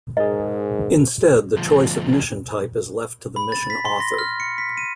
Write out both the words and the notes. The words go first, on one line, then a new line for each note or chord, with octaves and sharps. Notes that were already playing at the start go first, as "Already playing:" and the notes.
Instead, the choice of mission type is left to the mission author.
G#2 G#4 A#4 D#5
D2 F3
B5
A6
B6
C6
A#6
F6
C#7
B6
D#7